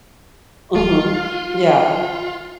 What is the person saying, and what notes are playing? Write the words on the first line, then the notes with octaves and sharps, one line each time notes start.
Mhm. Yeah.
D1 F4